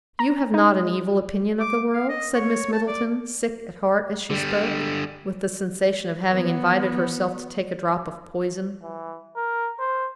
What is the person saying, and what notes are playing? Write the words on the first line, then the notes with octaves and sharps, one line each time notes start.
"You have not an evil opinion of the world?" said Miss Middleton, sick at heart as she spoke, with the sensation of having invited herself to take a drop of poison.
A#5
D#4
D6
F5
D#5
C#5
A5
D5
D3 G3
E3 B3
E3
A#4
C5